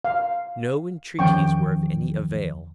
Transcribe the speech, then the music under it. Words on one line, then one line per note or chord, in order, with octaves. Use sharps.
No entreaties were of any avail.
F5
E2 D#3 F3 C#4 G5 C#6